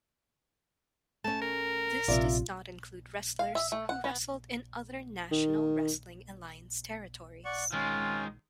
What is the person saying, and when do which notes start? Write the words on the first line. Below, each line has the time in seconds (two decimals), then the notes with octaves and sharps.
This does not include wrestlers who wrestled in other National Wrestling Alliance territories.
1.24 A3 C#4 A5
1.41 A#4
2.08 A#1 C3 F4 D5 E5
3.39 F5
3.55 E5
3.72 A3
3.89 F#5
4.04 B3
5.31 D#3
7.45 D5 F#5 C#6
7.73 D#3 G#3 C#4 F4